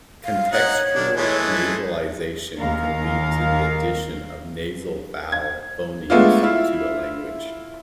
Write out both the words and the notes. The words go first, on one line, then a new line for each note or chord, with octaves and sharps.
Contextual nasalization can lead to the addition of nasal vowel phonemes to a language.
F5
D#4 C#5 F#5
D#3 D4
E3 G#3 A3
D#2 A#4 F5
G#6
G#3 A3 B3 D4 F4
E4 F4